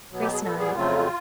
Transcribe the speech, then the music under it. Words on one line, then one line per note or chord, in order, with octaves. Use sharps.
Grace nodded.
B2 F#3 B3
G4
G#4
A#2 G3 B3 A4
G#4
F2 C#3 F#3 A3 C4 F4